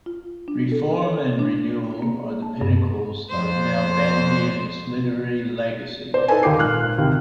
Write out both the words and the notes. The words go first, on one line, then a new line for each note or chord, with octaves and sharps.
Reform and renewal are the pinnacles of Nalbandian's literary legacy.
F4
D4
A4
C#5
D4
A#3
A5
G2
F2 C5
C5 D5
D#4 E4 A4 B4 G#5
D#2 A#3 D#4 G5 D6 C7
G#1 A#2 F6 F#6
D#2 C3